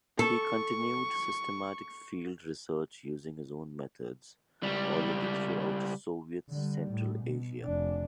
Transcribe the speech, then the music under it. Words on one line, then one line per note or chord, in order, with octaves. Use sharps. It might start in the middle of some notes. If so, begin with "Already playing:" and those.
He continued systematic field research using his own methods already throughout Soviet Central Asia.
A4 C#6
C#2 G3
D3 G3
A2
B2
F1 D4